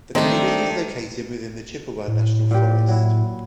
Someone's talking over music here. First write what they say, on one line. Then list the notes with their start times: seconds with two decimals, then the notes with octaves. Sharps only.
The community is located within the Chippewa National Forest.
0.15 D#3 G3 A3 C4 D4 D#5 A#5
2.08 A2
2.51 A#2 G4
2.88 F#3 E4